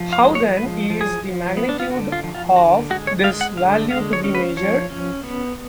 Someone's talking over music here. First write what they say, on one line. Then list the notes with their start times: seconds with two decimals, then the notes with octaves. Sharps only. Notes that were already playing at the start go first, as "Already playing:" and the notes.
How, then, is the magnitude of this value to be measured?
Already playing: F3
0.13 F5
0.24 G#3
0.35 C#5
0.57 F3 B4
0.90 F3
1.01 G#4
1.23 F3
1.57 B3
1.69 D4
1.80 F4
1.90 D3 F#4
2.12 F4
2.24 F3
2.35 F4
2.56 D3 F#4
2.90 G#3 F#4
3.07 C#5
3.24 G#3 F5
3.41 F#5
3.57 D3 F5
3.91 G#3 F5
4.13 C#5
4.24 C#4
4.35 B4
4.57 F3 C#5
4.90 C#4
5.23 B3